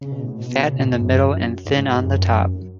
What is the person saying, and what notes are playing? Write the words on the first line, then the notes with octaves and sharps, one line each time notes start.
Fat in the middle and thin on the top.
C#3
B2
A2
B2
C#3
B2
A2
G#2
F#2
G#2
G#2
G#2
F#2